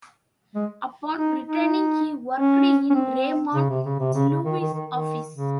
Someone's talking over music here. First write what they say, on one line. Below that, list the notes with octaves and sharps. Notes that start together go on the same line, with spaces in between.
Upon returning he worked in Raymond Loewy's office.
G#3
D#4
D#4
C#4
C#4
C4
C#3
C3
C#3
C3
C#3
C#3
D#3
D#3
D#3
D#3
C#3